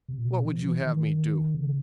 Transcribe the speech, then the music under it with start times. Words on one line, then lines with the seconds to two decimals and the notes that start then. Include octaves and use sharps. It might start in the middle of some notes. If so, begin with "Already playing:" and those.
'What would you have me do?
0.08 C3
0.18 A#2
0.27 B2
0.45 E3
0.58 F3
0.70 E3
0.82 D#3
1.55 C#3